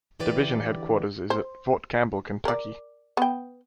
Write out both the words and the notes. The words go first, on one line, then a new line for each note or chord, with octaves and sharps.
Division headquarters is at Fort Campbell, Kentucky.
D3 E3 G4 B4 D5
C5
A#4 D5
B3 G5